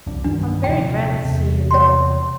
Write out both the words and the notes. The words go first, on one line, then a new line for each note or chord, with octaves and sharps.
I'm very glad to see you both.'
C2 F2 D4
G2 D#3 F#3 D4
D#1 C3 F3 G5
E2 C3
C#5 C6